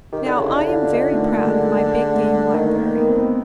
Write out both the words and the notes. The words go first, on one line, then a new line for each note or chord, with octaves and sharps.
Now, I am very proud of my big-game library.
D#3 G4
D3
C#3 E4
D3 D#4
E4
F4
D4
D#4
A3
A#3
G#3
G#3
A3
D#3 A#3
A#3
B3
C4
B3